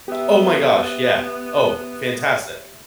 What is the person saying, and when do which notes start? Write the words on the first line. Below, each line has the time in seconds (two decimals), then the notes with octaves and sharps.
Oh, my gosh, yeah. Oh, fantastic.
0.08 B3 G4 E5